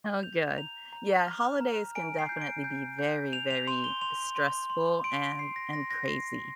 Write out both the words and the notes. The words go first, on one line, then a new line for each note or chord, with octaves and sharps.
Oh good, yeah, holidays can definitely be very, very stressful and and crazy,
G6 F7
A#5 F7
A#5
F6
A#5
G#5 D7
C7
G6
D7
G6
G6
G6 F7
F7
C6 F7
G7
C6 F7
C6
C6
C6 D7
C6 C7
A#6
C6 A#6
A#6
A#6
C6 C7